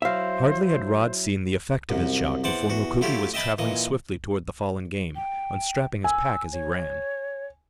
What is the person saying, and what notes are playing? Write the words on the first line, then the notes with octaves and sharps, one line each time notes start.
Hardly had Rod seen the effect of his shot before Mukoki was traveling swiftly toward the fallen game, unstrapping his pack as he ran.
F#3 E4 C5 E5 F5
C2 F#2
E2 C5 D5 F#5 D6
E2 F#4
F#3 A3 E4 F4 G4
D#5 E5 G5 A5 B5
A#2 E3 D#5
G5
G#5 E6
C#5